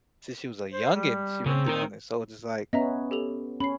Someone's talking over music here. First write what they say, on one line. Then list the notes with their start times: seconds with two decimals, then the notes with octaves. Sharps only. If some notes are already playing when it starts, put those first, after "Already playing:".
since she was a youngin, she's been doing it. So it's just, like,
0.72 C5
0.93 G3
1.46 C#3 C4
1.67 D#4 A#4
2.73 B3 C#4 D#5 E5 A#5
3.11 G4 A4 F7
3.60 C#4 B5 C7